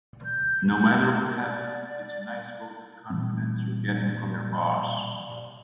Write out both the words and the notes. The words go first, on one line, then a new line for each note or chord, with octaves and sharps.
No matter what happens, it's a nice vote of confidence you're getting from your boss.
G6
D5
A#2 E3 G3 C4